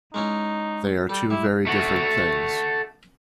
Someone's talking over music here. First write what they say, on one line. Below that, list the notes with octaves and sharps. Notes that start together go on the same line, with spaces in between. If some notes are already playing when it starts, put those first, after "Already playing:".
They are two very different things.
G#3 C#4 D#4 E4
G3 A4
G3 E4
A3 F#4